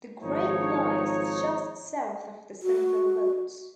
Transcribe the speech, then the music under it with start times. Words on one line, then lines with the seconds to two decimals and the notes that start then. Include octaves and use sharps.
The grave lies just south of the central vaults.
0.22 G#1 F3 D#4 C#5
2.63 F#4